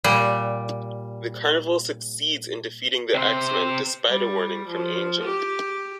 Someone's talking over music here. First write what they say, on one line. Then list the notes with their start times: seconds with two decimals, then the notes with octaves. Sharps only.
The carnival succeeds in defeating the X-Men despite a warning from Angel.
0.04 A#2 G3
3.15 C3 C5
4.09 G3
4.69 F3
5.23 G4